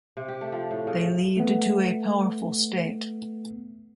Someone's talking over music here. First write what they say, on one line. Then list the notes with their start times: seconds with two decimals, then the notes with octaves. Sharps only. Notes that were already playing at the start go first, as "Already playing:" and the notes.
They lead to a powerful state.
0.17 C3
0.28 G4
0.41 A3
0.52 F3
0.71 A2
0.87 C#3
1.37 A3 B3